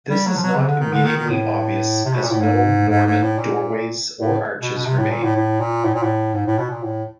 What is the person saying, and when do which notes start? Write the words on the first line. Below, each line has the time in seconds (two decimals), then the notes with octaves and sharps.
This is not immediately obvious as no Norman doorways or arches remain.
0.10 G3
0.27 F#3
0.37 F3
0.43 F#3
0.55 C#3
0.68 D3
0.80 D#3
0.92 D3
1.05 D#3
1.17 D#3
1.29 A2
2.05 C3
2.14 B2
2.23 A#2
2.31 A2
2.40 G#2
2.89 G#2
3.06 G#2
3.22 A2
3.38 A#2
4.21 A2
4.61 B2
4.78 B2
4.86 C3
4.98 A2
5.11 A#2
5.23 A2
5.35 A2
5.60 A#2
5.84 A2
5.94 A#2
6.03 A2
6.34 G#2
6.47 A2
6.58 B2
6.71 A#2
6.83 A2